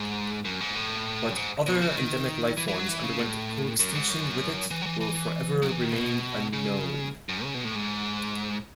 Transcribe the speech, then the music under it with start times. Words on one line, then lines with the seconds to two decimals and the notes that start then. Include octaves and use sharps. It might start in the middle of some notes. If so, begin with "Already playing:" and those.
What other endemic lifeforms underwent coextinction with it will forever remain unknown.
Already playing: G#2
0.45 F#2
0.61 G#2
0.75 A2
1.31 F#2
1.36 G#2
1.67 B2
1.82 C#3
1.97 D#3
2.57 E3
2.68 E3
2.78 F#3
2.88 E3
3.03 C#3
3.19 A2
3.80 F#2
3.95 G#2
4.10 F#2
4.71 E3
4.82 F#3
4.86 E3
5.01 E3
5.62 F#3
5.72 E3
5.82 D#3
5.92 B2
6.53 C#3
7.29 F#2
7.44 C#3
7.54 B2
7.65 A2
7.75 G#2